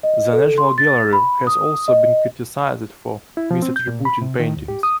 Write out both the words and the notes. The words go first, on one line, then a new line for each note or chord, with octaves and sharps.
The National Gallery has also been criticised for misattributing paintings.
D#5
A4
C6
A6
B5
D#6
D#5
E4
F3
C4
G6
A#2
B5
C3
D#3
D2
G4
D#6